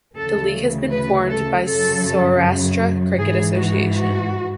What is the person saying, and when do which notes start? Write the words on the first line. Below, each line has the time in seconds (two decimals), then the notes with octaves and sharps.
The league has been formed by Saurashtra Cricket Association.
0.16 D2 C#3 E3 A4
0.92 B4
1.30 A4
1.68 F#2 C#3 F#3 A4
3.20 G#2 E3 G#4
3.57 F#4
3.95 F#4